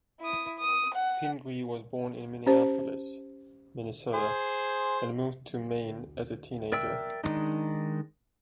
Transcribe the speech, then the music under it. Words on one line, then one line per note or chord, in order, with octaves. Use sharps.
Pingree was born in Minneapolis, Minnesota and moved to Maine as a teenager.
E4 D#6
D#6
F#5
C#4 G4 C5 A5
G#4 C5
A#4 D5 E5 G5 E6
D#3 G#3 D4 D#4